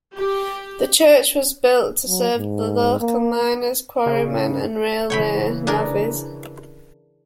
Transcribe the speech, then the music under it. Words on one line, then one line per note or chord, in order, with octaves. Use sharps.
The church was built to serve the local miners, quarrymen and railway navvies.
G4
F#3
G#2
A#3
C#3
C#3 E3 C#5 G5 B5
D4 G#4 A#4